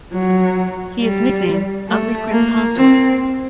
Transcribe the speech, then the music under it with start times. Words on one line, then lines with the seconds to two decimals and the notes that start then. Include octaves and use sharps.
He is nicknamed "Ugly Prince Consort".
0.12 F#3
1.01 G3
1.89 A3
2.32 A#3
2.77 C4